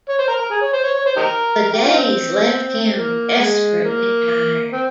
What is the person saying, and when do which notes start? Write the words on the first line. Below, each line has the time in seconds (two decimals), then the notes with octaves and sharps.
The days left him desperately tired.
0.09 C#5
0.19 C5
0.28 A#4
0.39 A#4
0.50 G#4
0.61 C#5
0.73 C5
0.84 C#5
0.95 C#5
1.06 C5
1.17 D#4 G4 A#4
1.62 A#4
1.73 G4
1.84 F4
1.95 C4
2.95 A#3
3.39 G#3
3.84 A#3
4.72 C4